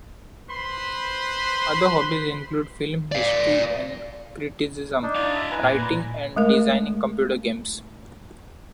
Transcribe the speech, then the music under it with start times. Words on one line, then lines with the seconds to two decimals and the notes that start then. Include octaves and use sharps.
Other hobbies include film history and criticism, writing, and designing computer games.
0.49 B4 C5 B5 C6
3.12 D5 F5
5.03 D4 D#4
5.15 E4 F5
5.36 E5 A#5
5.51 B4 G#5 A#5
5.63 A#2
5.78 A#2
6.36 G#3 A3 A#4